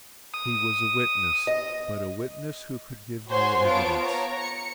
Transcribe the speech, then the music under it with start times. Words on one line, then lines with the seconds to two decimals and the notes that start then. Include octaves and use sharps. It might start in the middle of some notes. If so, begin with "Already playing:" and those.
He was a witness, but a witness who could give no evidence.
0.34 D#6
1.47 D#5
3.28 F#4 C5 C#5 G#5 C6
3.64 B3 F4 C#5 A5 D7
4.00 C#5 A#5
4.41 C#7